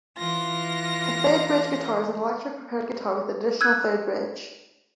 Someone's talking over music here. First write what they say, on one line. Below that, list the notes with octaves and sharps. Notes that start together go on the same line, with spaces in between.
The third-bridge guitar is an electric prepared guitar with an additional, third bridge.
E3 F4 A#6
E6 F#6 G#6